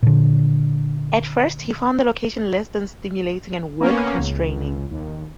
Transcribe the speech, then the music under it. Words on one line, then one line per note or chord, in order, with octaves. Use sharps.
At first, he found the location less than stimulating and work constraining.
A#2 D3
A#3 B3 C#4
C#2
D#2